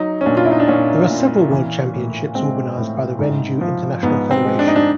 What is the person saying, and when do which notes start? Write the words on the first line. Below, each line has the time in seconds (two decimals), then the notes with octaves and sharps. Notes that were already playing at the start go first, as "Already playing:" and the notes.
There are several world championships organized by the Renju International Federation.
Already playing: F#3 D#4
0.21 C#4
0.26 A#2 D4
0.37 F4
0.45 E4
0.52 D#4
0.60 D4
0.68 A#2 C#4
1.09 A#2
1.51 E3
1.94 A2
2.35 G#3 C4
2.77 A2
3.19 G#2
3.61 F3
4.03 G#2 B3
4.31 C4
4.45 G#3
4.59 D4
4.67 D#4
4.76 D4